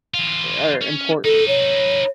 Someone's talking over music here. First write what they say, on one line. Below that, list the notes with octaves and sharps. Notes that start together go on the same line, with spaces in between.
are important
E3 F4
C#4
D#4 A4 B4
C#5